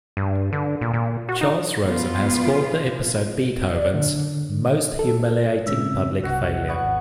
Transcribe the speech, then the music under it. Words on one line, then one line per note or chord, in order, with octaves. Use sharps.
Charles Rosen has called the episode Beethoven's "most humiliating public failure".
G2
D3
A#2
A#2
F#4
D#4
B2 F3 B3 F4
D5
D3
A4
G#2 C#3 C4 E5
C2 F#4
B3 F#5 C#6
G#1